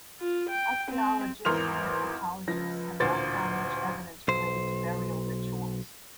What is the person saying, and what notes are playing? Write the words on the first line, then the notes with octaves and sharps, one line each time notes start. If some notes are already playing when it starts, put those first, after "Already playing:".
Archeologists and anthropologists have not found much evidence related to burial rituals.
F4
G5
C4
G#1 E2 A#4 C6 F6 F7
C#2 F3 A#6
A1 D2 A#2 C5 A6
B1 C5